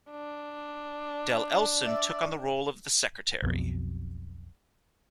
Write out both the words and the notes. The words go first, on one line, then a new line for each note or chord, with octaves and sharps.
Del Elson took on the role of the Secretary.
D4
D5 E5
B1 F2 B2